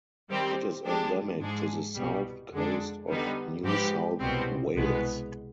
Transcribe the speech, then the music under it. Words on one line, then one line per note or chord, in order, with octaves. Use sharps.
It is endemic to the south coast of New South Wales.
D#3 G3 C4 G4
F3 G#3 D4 G4
G#2 F3 G#3 D4 G#4
C2 B2 G3
F2 D3 G#3 D4
D3 G3 B3 D#4
G#2 F3 C4 G4 B4
C2 B2 G3 C4
C2 B2 G#3 B3